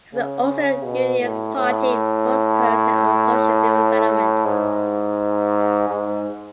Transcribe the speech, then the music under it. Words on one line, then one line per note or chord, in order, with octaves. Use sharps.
He is the Ulster Unionist Party spokesperson on Social Development.
C#3
B2
A2
A2
G#2
G#2